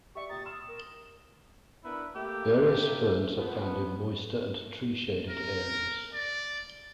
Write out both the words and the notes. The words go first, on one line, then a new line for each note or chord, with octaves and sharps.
Various ferns are found in moister and tree-shaded areas.
G4 D5 E5 C#6
A#2 G4 A#5 D#6 A6
C6 E6 F6 E7
A#4
B3 D4 E4 A#4 B4
A3 A#3 G4 E5
F3 B3
A#4
D5